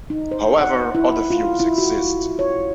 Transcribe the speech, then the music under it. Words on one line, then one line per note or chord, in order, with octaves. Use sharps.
However, other views exist.
D#4
C5
F#5
E4
F4
E4
F#4
C#5